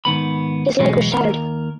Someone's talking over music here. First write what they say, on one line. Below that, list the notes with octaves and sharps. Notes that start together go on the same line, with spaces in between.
His leg was shattered.
G#2 D#3 B3 B5
E2 G#2 B2 F#3 G#3 B3
D#2 A#4